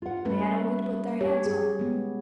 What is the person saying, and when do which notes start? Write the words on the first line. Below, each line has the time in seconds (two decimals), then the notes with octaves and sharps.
They had only to put their hands on him.
0.02 F4 F#5
0.25 G3 A3 C#4 B4
1.21 G4 C#5
1.45 G#4
1.79 G#3 B3